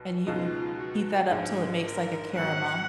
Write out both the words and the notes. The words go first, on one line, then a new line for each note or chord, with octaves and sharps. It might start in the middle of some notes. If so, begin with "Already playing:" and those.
and you heat that up 'til it makes, like, a caramel,
Already playing: B1 B2
C#2 B2 G#3 D#4 F4
F#4
A#1 G#2 F3 G#4
A#4
G#1 G#2 F#3 F#5